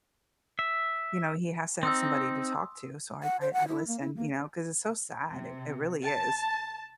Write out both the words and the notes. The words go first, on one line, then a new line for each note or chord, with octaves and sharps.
you know, he has to have somebody to talk to, so I I I listen, you know, 'cause it's so sad, it it really is.
E5
C4 D#4 C6 D#6 E6
F#5
C5
F#5
E4
A#3
E4
A#3
C3
A5